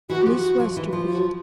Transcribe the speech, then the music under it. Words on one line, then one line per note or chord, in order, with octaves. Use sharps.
Miss Westerfield.
E3 F#4
F3 G4
F#4
F3
E3
F3
F#4